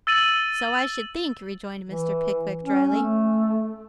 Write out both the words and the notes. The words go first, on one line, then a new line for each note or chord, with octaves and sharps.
'So I should think,' rejoined Mr. Pickwick drily.
E6 A6 D#7 F#7
E3
C#4
A3